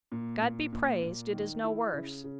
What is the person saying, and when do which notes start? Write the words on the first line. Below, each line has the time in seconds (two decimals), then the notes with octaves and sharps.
'God be praised it is no worse!
0.12 A#2
0.42 A#2
0.72 A#2
1.03 A#2
1.33 D#3
1.63 E4
1.93 C#3
2.24 C#3